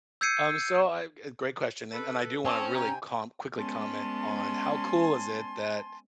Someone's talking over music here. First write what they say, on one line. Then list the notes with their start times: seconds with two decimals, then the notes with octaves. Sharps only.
Um, so, I g great question, and and I do wanna really com quickly comment on how cool is it that,
0.21 E6 G6 G#6 C7 C#7 D#7
1.92 A4 B4
2.45 C4 C#4 C#5 A5 D#6
2.74 C3 G5 G#5 A#5
3.57 G#3 B3 C#4 G#5 A5 C6